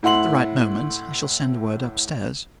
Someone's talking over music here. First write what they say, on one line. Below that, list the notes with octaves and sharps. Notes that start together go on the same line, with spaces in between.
At the right moment, I shall send word upstairs.
A2 E4 F#5 C6 F#7